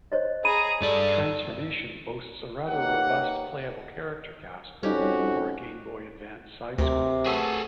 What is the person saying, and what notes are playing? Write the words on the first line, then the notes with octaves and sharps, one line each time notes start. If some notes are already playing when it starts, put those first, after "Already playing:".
Transformation boasts a rather robust playable character cast for a Game Boy Advance side-scroller.
C5 C#5 D#5
G#4 A#5 B5 D#7
G2 A4 D5
A#3 D#4 G4 B4 C#5 F#5
F2 G3 C#4 D#4 F#4 G4
D2 C3 A#4
F#3 A3 B3 G#4 A4